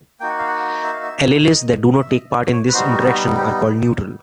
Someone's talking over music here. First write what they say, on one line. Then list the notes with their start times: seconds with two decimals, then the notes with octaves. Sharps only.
Alleles that do not take part in this interaction are called neutral.
0.20 A#3 D#4 F#4 G5
0.29 F#5
0.39 F5
0.48 F#5
0.84 E5
0.93 F5
1.02 E5
1.47 D#5
2.01 E5
2.10 D#5
2.31 D5
2.52 C#5
2.69 B4
2.73 G3 B3 D#4 F#4 C5
3.06 F#4
3.36 G4